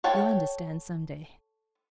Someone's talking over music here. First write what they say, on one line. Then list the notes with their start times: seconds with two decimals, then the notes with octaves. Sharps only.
"You'll understand some day."
0.04 A4 C#5 F#5 G5 A5